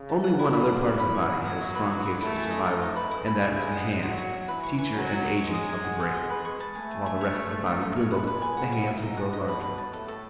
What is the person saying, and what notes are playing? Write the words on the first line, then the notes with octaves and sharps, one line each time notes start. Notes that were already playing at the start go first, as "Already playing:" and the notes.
Only one other part of the body had a strong case for survival, and that was the hand, "teacher and agent of the brain." While the rest of the body dwindled, the hands would grow larger.
Already playing: C#3
A5
F#5
B2 E4
B5
F#5
E3 B4
B5
G#5
F#3 D#4
F#5
D#5
B4
B4
C#6
A3 E4
G#5
D#5
A3 D#4
D#4
B4
G#3 E4
B5
E5
G#3 E4
F#5
D#5
F#3 F#4
F#4
E5
E3 B4
C#6
G#5
F#3 D#4
F#5
D#5
G#3 C#5
D#6
G#5
F#4
F#4
D#5
B4
C#6
A5
A3 G#4
G#5
E5
C#5
C#5
C#6
D#4
D#4
C#5
G#3 B4
B4
G#5
C#3 F#4
F#4
E5
B2 D#4
F#5
D#5
B4
B4
A5
A2 A4
A4